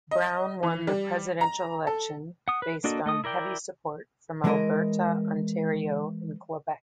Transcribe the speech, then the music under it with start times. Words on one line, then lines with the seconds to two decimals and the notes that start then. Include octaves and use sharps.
Brown won the presidential election based on heavy support from Alberta, Ontario and Quebec.
0.11 D#5
0.63 E3
0.87 G3
1.41 A#5
1.87 A4
2.48 F#5 D#6
2.62 B4
2.84 A#3 D4 F#4 A4 D#5
3.06 A3 D#5 D#6
3.24 E4 A#4 D5 G5
4.44 E3 G#3 E4 A4 A#4 D#5